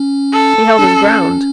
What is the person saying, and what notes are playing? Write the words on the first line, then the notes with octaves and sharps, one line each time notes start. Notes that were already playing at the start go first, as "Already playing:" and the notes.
He held his ground.
Already playing: C#4
A4
D4
C#4